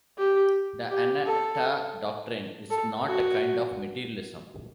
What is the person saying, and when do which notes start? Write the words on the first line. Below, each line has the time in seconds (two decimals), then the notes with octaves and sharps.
The "anatta" doctrine is not a kind of materialism.
0.18 G4
0.90 G4
1.26 A4
2.70 A4
3.06 F#4